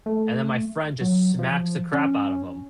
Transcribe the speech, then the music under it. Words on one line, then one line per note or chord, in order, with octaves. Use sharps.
and then my friend just smacks the crap out of him,
A3
F#3
F3
C#4